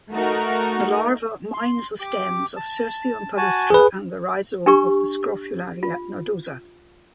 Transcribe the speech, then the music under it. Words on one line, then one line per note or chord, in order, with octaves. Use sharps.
The larva mines the stems of "Cirsium palustre" and the rhizome of "Scrophularia nodosa".
A3 D#4 F#4 A#4
C6
G4 D6
A5
F#4 G#5 A5
G#4 B4
D4 G4 A#4 C#6
F4